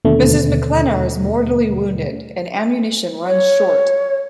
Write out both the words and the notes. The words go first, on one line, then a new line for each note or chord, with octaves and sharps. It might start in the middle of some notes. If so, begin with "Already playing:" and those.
Mrs. McKlennar is mortally wounded and ammunition runs short.
D#2 B2 D3 A3
C#5